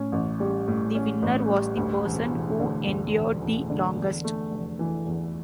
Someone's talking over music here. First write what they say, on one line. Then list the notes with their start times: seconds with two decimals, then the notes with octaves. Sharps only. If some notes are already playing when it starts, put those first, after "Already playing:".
The winner was the person who endured the longest.
Already playing: A2 C#4
0.12 A1
0.40 G3
0.68 A2
0.95 C#4
1.22 A1
1.50 G3
1.77 D2
2.04 E1
2.32 E1
2.59 D3
2.87 D2
3.15 E1
3.42 E1
3.70 D3
3.96 E2
4.24 A3
4.51 F1
4.79 E3
5.07 E2